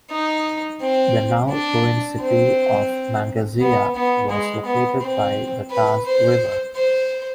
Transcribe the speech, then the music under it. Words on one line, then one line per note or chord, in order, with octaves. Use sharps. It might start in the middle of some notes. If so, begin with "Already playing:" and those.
The now ruined city of Mangazeya was located by the Taz River.
D#4
C4
D4
C4
B3
B3
G#3
B3
C4
B4
C5
C5